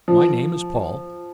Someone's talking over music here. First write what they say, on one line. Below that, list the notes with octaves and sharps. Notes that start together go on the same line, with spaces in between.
My name is Paul.
F3